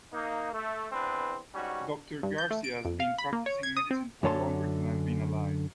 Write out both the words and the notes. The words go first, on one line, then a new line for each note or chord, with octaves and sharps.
Doctor Garcia has been practicing medicine for longer than I have been alive.
A#3 D#4
A3
E2 C4 D4 B4
G#2 G3 C#4 F#4
G2
G6
A3
D7
F2
F5
B5
A#3
C#5
G#6
D#6
C4
F#2 D3 C#5 A5 C6